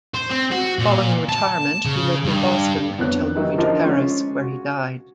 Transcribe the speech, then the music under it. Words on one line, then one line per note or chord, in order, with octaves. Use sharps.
Following retirement he lived in Boston until moving to Paris, where he died.
C5
C4
F#4
A#2
A5
C#3
G2
F2 B3 D4 C#5 F#6
D#3 E3 F#3 D#4 G4
F3 D4 D#4 F4 A#4 D#5
G#3 C#4 F4
F#4